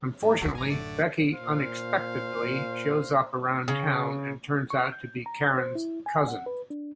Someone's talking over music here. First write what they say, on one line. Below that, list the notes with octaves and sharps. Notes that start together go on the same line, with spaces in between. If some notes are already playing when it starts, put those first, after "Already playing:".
Unfortunately, Becky unexpectedly shows up around town and turns out to be Karen's cousin.
G#2
D#2 F3 F#4 A4
A1 F#2 G#5 A#5
D3 A3 D5
A#2 C5 F5
C#3
C#6
G6
A#5
C5
E4
G#5
F#5
B4
D4